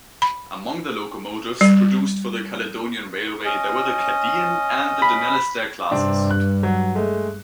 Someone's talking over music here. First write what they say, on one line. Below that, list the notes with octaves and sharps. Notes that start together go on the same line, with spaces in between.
Among the locomotives produced for the Caledonian Railway were the "Cardean" and "Dunalastair" Classes.
B5
G3
C#4 D#5
B5
G2 C3 C4 D4
F#6
F#3
G#3 A3